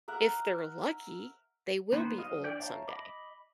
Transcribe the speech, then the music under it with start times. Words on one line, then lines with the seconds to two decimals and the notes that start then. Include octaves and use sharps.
If they're lucky, they will be old someday.
0.08 A#4 E5 F#5 A#5
1.92 D#3 A#3 B3 B4 C5
2.18 F#3 D#5 F5
2.44 E3 D4 D5 G5 G6
2.59 C#5 E5 F5 A5 A#5
2.88 D#5 B5 D6